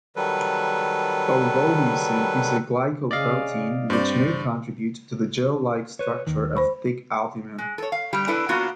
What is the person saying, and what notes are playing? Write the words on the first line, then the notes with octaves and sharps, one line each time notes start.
Ovomucin is a glycoprotein which may contribute to the gel-like structure of thick albumen.
D#3 F#3 G3 A4 B4
C#3 D5 D#5 F5
G2 C4 C5 D5
B4 C#5
D#2 D#3
C5 B5 C#6
G#3
A4 C#5
F5
D3 G3 G4
D4 E4 A4 B4
A#3 B3 D4 F4 F#4